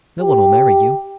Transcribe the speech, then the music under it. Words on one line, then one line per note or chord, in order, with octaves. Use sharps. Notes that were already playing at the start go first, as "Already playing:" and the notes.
No one will marry you.
G4